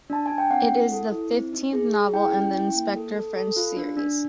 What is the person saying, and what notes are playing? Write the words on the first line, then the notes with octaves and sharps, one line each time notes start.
It is the fifteenth novel in the Inspector French series.
D4 A5
D4 G#5
G5
C4 F#5
E4
A4
E4
C4
D#4
G#4
G#4
E4 G5
C#4
E4
A#3
A4
A4
A4
F4
D4
D4